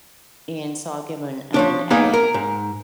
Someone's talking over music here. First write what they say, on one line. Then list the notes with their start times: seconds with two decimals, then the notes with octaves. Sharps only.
And so I'll give m him an egg
1.54 F3 C#4 D4
1.90 A#3 B3 D#4 G#4 D5 F5
2.14 A#4
2.34 G#2